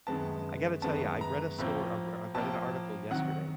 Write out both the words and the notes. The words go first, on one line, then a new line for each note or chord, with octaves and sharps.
I gotta tell you, I read a stor I r I read an article yesterday,
F#2 D#3 G#3 B3 A5
F#2 D#3 G#3 B3 A5
A#5
A2 F3 A#3
A2 F3 A#3 A5
C3 D#3 F#3 F#5